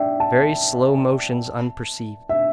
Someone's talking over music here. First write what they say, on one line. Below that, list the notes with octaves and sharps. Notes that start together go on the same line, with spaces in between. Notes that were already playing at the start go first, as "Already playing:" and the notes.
Very slow motions unperceived.
Already playing: D5 E5 G5
A5
E5